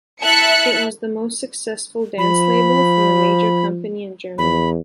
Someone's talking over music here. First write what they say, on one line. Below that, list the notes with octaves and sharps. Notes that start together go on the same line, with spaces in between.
It was the most successful dance label from a major company in Germany.
E4 E5 A5 F#6 C#7
F3 B5
E2 B5